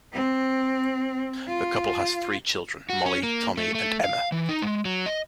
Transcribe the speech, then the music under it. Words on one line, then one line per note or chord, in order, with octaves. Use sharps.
The couple has three children, Molly, Tommy, and Emma.
C4
F4
F#4
C#4
A#3
A3
A3
F5
E3
D#4
G#3
F#3
D#5